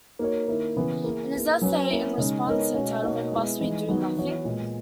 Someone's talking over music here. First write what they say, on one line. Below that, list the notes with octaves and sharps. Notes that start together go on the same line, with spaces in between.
In his essay in response, entitled Must We Do Nothing?
A#3 D#4 F#4 A#4 C#5
D#3 A#3 E4 A#4
C#3 E3 B3
A#3 E4 G#4
A#3 E4 G#4 B4
F#3 C#4 F#4 B4
A#3 C#4 E4
C#3 G#3 D#4
G#3 B3 D#4 A#4 C#5
B2 G#3 C#4 F#4
B2 A#3 D#4 F#4 C#5
G#3 B3 E4 G#4
E3 G#3 D#4
D#3 F#3 B3 D#4 F#4
E3 B3 F#4 C#5
A#2 G#3 B3